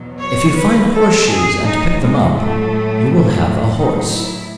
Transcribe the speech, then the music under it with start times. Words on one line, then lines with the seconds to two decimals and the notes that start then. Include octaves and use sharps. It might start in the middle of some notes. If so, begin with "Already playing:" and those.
If you find horseshoes and pick them up, you will have a horse.
Already playing: E2 B2 F#3
0.20 C#5
0.56 B4
0.92 A4
1.27 G#4
1.63 A2 F#3 D#4
1.99 G#3
2.35 A3
3.78 D#4
4.14 E4